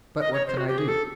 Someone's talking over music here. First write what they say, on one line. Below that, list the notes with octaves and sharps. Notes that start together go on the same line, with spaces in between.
But what can I do?
D#5
C#5
C5
F#4
G4
G#4
A4